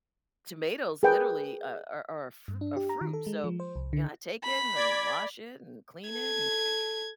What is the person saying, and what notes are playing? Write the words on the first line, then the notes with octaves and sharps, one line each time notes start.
tomatoes literally, uh, are are a fru a fruit, so, you know, I take it and wash it and clean it and
G#4 A#4 B4 G5
G2
D4
G4
A#5
D#3
A4
G#3
F3
C5
C2
D3
B5
D5 G#6
A4 G#6